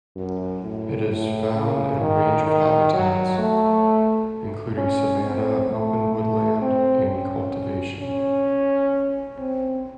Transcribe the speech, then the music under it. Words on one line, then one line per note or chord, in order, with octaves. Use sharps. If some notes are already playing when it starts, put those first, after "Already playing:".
It is found in a range of habitats including savanna, open woodland, and cultivation.
F#2
A2
A2
C#3
D#3
D#3
F#3
A3
C#4
C4
A3
A3
C4
C#4
C#4
C4